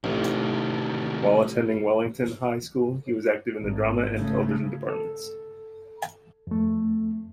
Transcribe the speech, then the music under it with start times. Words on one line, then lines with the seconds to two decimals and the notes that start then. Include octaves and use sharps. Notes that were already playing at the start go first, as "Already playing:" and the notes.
While attending Wellington High School he was active in the drama and television departments.
0.04 A1 C3 D#3
3.61 G#1
4.15 C#3 A3
4.89 A4
6.47 F2 A3